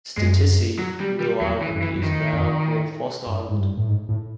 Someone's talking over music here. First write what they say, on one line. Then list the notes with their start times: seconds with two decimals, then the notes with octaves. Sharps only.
"Stitici", Little Island, is now called Foster Island.
0.18 F#2 G#3
0.79 F#3
1.00 G3
1.20 G3
1.41 E2 F#3
1.62 E3
1.72 F#2
1.82 E3
1.95 F#2
2.03 F2 D#3
2.33 F2
3.27 G2
3.49 G#2
3.58 G2
3.77 A2
3.88 G#2
4.09 A2